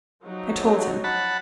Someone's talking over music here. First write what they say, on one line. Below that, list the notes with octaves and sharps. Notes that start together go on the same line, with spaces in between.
I told him.
F3 F#3 D#4
F#5 A5 B5